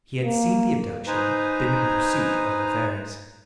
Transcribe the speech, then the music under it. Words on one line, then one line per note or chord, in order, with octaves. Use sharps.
He had seen the abduction been in pursuit of the fairies.
A#3
D#4 B4 C5 G#5 A#5